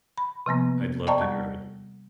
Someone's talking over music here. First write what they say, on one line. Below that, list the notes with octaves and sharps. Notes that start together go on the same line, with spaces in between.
I'd love to hear it.
B5
C3 F3 A#3 B3
D5 D#5 G5 A5 A#5 C#6
G3